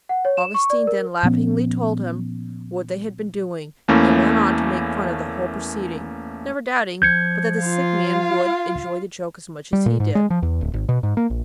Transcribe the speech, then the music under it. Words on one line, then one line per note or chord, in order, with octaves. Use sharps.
Augustine then laughingly told him what they had been doing, and went on to make fun of the whole proceeding, never doubting but that the sick man would enjoy the joke as much as he did.
F#5
C#5
E7
C#6
D5
A#4
A#2 F3 B3 C#4
E2 A3 A#3 C#4 E4
F3 G6 G#6 C#7
F4 F5
G3
A#2
G#2
G#3
F3
E2
D1
G#1
B2
G#2
A#3
A#1